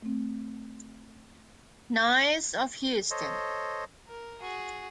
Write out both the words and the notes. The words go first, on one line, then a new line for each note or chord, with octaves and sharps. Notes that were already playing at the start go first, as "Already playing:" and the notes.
Noyes of Houston.
A3 C4
A4 C5 C#5 D#5
A#4
F#4 G#4